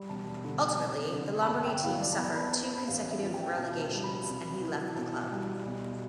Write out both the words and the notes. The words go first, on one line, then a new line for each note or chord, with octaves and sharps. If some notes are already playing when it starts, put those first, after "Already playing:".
Ultimately, the Lombardy team suffered two consecutive relegations, and he left the club.
Already playing: G3
E1 A5
D3
F1
D3
B5
G1 A5
G5
E3 F5
D5
A5
E2 B5
A5
B5
B3 B5
A1 F5
E5
F3
G5
B1 A5
A5
G3
B5
C2
E3
B1 A5
G3
B1